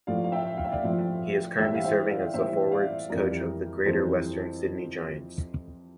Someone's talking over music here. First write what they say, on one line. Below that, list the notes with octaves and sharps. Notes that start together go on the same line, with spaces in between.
He is currently serving as the forwards coach of the Greater Western Sydney Giants.
A2 F3 A3 D5 F5
F5
E5 G5
F5
E5
D5 F5
A2 F3 A3
A2 E3 G3 E5 G5
F5
C5 E5
D5 F5
A2 E3 G3 C5 E5
D5 F5
F2 E3 G3 A#4 D5
F2 E3 G3 A4 C5